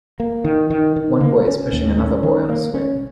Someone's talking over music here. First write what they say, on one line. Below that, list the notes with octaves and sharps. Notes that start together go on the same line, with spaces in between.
One boy is pushing another boy on a swing.
A#3
D#3
D#3
D#3
A#3
C#4
D#2
C#4
D#3
A#3
C#4